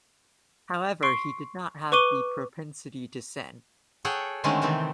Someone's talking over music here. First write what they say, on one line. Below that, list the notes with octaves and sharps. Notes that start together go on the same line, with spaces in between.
However, he did not have the propensity to sin.
C6 C#6 C7 D7
B4 C#6 D6 D#7 G7
G#4 A4 C#5 F#5 G5
D3 D#3 G#3 A3 C4 C#4
C3 D#3 E3 A3 C4